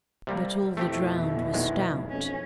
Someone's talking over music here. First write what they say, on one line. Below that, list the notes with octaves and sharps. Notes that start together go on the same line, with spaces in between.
But all the drowned were stout.
C3 G3 A#3
F2 B2 A3 C4 E4 G4
B1 D#3 G#3
B1 F2 C#4